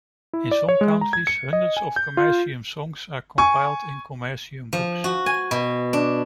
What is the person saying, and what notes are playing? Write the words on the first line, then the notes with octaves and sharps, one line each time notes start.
In some countries, hundreds of commercium songs are compiled in commercium books.
E4
D5
C#5
G#3
A#5
G#6
C#7
D#5
G#5
G6
F4
G#5 C#6
F3
F#4
G#5
B2
D4